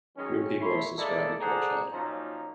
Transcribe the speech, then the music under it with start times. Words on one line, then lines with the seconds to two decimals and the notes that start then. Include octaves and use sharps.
Fewer people are subscribing to our channel.
0.17 D#3 F#3 G#3 C#4
0.60 A3 E4 C#5 B5 C6
0.97 G#3 A#3 E4 A4 D5
1.41 G#4 A4 C5 D5 F#5 A#5
1.92 A#2 F3 F#3 A#3 C#4 D#4